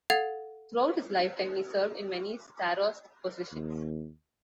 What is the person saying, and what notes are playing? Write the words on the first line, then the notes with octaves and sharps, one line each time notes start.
Throughout his lifetime, he served in many "starost" positions.
A4 F5 F#5 G#6 A6
D#2